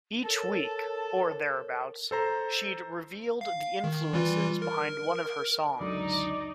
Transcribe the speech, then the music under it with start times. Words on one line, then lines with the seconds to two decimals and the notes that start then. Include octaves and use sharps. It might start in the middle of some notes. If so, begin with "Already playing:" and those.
Each week, or thereabouts, she'd revealed the influences behind one of her songs.
0.24 A4 A#4 C#5 A5
2.11 A4 C5 A#5
3.41 F5
3.84 D#3
4.13 E3 G3 F4
4.62 A#4
5.80 C#2 F#2 D3 D#4 D5